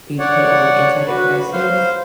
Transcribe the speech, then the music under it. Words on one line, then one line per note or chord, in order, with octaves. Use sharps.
be put on antidepressants,
C#5 D5 F#5
F#4 B4
C5 F5